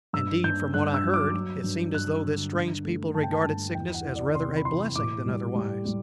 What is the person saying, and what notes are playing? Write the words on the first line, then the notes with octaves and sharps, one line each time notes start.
Indeed, from what I heard it seemed as though this strange people regarded sickness as rather a blessing than otherwise.
G2 E6
G2 G6
G2 F#6
E6
F#3
D6
F#3
G2
G2 F#6
D3
G2
A3
G2 A5
G5
A5
G2
E2 G5
F#5
E3
D5
C3 C6
B5
E3 C6
A2 D6
G3
G3
G3